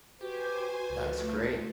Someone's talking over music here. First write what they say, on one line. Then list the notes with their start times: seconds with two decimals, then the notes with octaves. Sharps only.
That's great.
0.21 F#4 G4 B4 C5 G#5
0.90 C#2 F3 A3